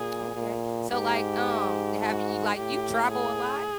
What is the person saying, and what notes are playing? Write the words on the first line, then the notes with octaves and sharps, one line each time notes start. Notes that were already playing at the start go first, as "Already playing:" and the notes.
Okay. So, like, um, they have you like, you travel a lot?
Already playing: A#2 G#4
A#2
G#2 G4
F#4
A2 G4
G#4